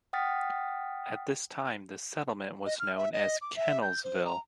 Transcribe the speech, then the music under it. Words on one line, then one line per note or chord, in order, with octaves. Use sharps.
At this time, the settlement was known as Kennelsville.
F#5 G5 D#6 F6 A6 B6
D#5
F6
E5
D#5
D6
E5
G6
C5
A#5